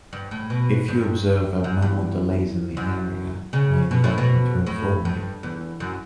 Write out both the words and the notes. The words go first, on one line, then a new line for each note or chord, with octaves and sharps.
If you observe abnormal delays in the area, I invite you to inform me.
G2
A2
B2
G2
F#2
E2
F#2
C#3
B2
A2
B2
A2
G2
E2
F#2